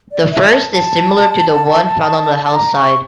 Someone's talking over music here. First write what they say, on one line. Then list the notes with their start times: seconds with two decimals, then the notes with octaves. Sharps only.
The first is similar to the one found on the House side.
0.12 D5
0.32 E5
0.53 A5
0.73 A5
2.45 A5
2.55 A#5
2.75 C#6